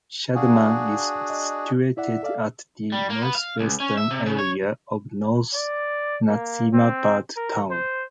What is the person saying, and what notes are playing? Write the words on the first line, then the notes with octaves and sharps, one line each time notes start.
Shadman is situated at the northwestern area of North Nazimabad Town.
D4 F#4 G#4 F5 F#5 G#5
D#5
E4 D5 E5 F#5
A4 D5 F5
G3
A#3
B3
F5
C#2
C#4
E5
C3
C#3
C#5
D5
A#3
C4
A#4
C5